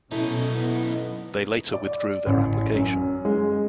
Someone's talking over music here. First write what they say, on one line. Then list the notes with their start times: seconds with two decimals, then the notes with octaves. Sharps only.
They later withdrew their application.
0.11 F#2 B2 C#4 D#4 E4 A4 D#5
0.52 B3
1.74 D5
2.26 A1
2.75 F#2
3.25 G#3